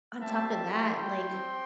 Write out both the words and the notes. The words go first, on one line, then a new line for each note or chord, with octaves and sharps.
On top of that, like,
G3 C4 G4 E5 A5
A3 E4 G4 G5 C6
C4 G4